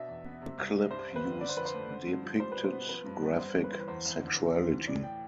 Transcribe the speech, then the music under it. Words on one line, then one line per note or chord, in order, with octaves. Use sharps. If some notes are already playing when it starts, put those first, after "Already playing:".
The clip used depicted graphic sexuality.
Already playing: B2 D4 E5
E2
B3
C3
C2
G3
G2 C5
G1
B4
D3
D3 D5
C5
F2 B4
C5
A3
D3
G2
F3
G3 C5
B2 B4
C5
B3
F3 B4
G2
B3
G2 C5
G1
B4
E3 C5
B4
E2 C5
F1
D3
C3
D2
E3
A2 D5
G5